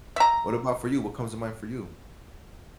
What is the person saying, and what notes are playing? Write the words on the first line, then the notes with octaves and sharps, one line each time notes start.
what about for you? What comes to mind for you?
E5 A#5